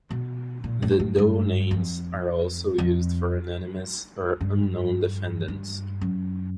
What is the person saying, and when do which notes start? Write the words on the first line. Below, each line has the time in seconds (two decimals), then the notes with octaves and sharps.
The Doe names are also used for anonymous or unknown defendants.
0.10 B2
0.64 A#2
0.82 A2
0.99 A2
1.18 G2
1.71 F2
2.78 F2
4.41 G2
5.48 G2
6.01 F#2